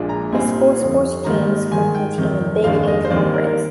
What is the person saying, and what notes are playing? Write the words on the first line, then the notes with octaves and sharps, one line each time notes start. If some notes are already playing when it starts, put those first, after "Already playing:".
The school sports teams compete in the Big Eight Conference.
Already playing: A#1 A#2 G#3 D4
A#5
C2 A#2 G3 C4 D#4 G#5
F2 D3 G3
G#2 D#3 G3 A#3 D#4 A#5
G#2 D#3 G#3 G#5
G5
F2 C3 D#3
F1 D#2 D#3 G#3 D4 F5
D#5
C5
D#2 D#3 G3 C4 D5
A#4
A#4